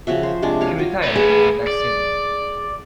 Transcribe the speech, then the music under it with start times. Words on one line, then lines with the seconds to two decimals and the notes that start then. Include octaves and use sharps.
He retired after that season.
0.07 C#3 F3 F#4 E5
0.23 C5
0.42 C3 G#3 D4
0.61 G4 C#5 F5
0.78 F#3 F4
1.03 A3 B4
1.16 G#4
1.68 D5